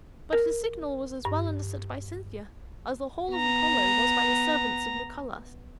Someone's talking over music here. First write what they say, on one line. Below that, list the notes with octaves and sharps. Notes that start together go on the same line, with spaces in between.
But the signal was as well understood by Cynthia as the "Hall of Apollo" was by the servants of Lucullus.
A#4
G2
B3 A#5